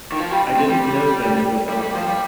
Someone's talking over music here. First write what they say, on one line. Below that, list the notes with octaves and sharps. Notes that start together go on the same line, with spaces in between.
I didn't know then it was eloquent!
D#3
F3
G3
C4
G3
G3
G3
F3
G3